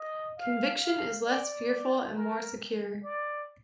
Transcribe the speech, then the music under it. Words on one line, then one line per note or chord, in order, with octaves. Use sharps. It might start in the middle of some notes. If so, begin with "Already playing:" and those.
Conviction is less fearful and more secure.
Already playing: D#5
F5
F5
D5
A#4
D5